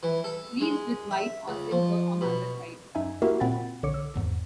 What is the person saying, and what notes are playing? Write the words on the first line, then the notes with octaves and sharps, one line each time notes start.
Leaves with white or silver on underside.
E3
A4
G#3
E5
C#2
F3
B2
F#2 D#4 E5 G#5
A#3 E4 F#4 G4 A#4 E5
A#2 C4 F#5 B5 A6
B1 D3 C#5 D6 C#7
E6
G#1 E2 G#2